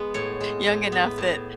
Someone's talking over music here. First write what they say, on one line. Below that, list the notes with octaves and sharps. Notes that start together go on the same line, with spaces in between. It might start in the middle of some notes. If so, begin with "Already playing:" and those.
young enough that,
Already playing: G#3 B3
A2 C#5
G#3
A2
B3
A2